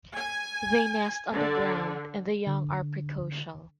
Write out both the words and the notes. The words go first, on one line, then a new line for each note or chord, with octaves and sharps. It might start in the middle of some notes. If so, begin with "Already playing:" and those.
They nest on the ground and the young are precocial.
G#5
D3
D3